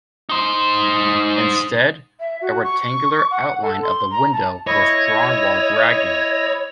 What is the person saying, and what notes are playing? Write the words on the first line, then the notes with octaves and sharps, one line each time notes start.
Instead, a rectangular outline of the window was drawn while dragging.
D#4 C5
E5
F#4
C#6
F#5
A4
C6
A#5
A5
E4 C#5 D#5